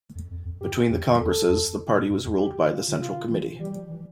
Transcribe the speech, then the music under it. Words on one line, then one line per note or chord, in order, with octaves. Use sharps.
Between the congresses the party was ruled by the Central Committee.
F2
F2
F2
G2 G4
F2 G4
E2 A4
F2
A2
G2
F2
G4
F4
D3
C3 F4
E3
E3 G3
F3
E3